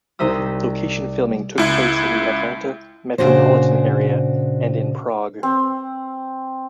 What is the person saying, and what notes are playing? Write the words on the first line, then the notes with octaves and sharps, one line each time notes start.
Location filming took place in the Atlanta metropolitan area and in Prague.
C2 D#4 C5 E5 D#6
C#2 E4
A#2 C#3 D4 F#4 C5
C4